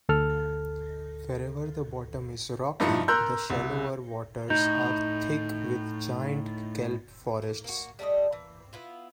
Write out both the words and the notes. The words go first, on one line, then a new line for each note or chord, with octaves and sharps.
Wherever the bottom is rocky, the shallower waters are thick with giant kelp forests.
D2 A4 F6
G2 F3 D#4 E4 C#7
A#4 A#5 C6 E6 F#6 G6
C2
A2 D#4 G6
A#4
A#3 F#4
G3 A3 B4 D#5
E3
B3 E4 F4